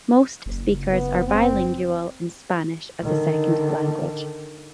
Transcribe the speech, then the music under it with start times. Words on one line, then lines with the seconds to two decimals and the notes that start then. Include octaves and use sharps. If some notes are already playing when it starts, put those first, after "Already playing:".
Most speakers are bilingual in Spanish as a second language.
0.46 F#1
0.92 B3
1.27 C4
3.02 D3 D#3